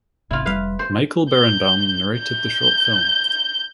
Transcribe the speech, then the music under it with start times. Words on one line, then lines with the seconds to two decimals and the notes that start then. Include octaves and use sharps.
Michael Berenbaum narrated the short film.
0.31 G#1 G#2 C3 E4 F4
0.46 F1 G3 B4 F5
0.79 C5
1.30 G6
2.18 G6